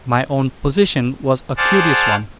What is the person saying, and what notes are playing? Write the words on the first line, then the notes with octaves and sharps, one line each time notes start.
My own position was a curious one.
G#4 C5 D5 F#5 A5 F6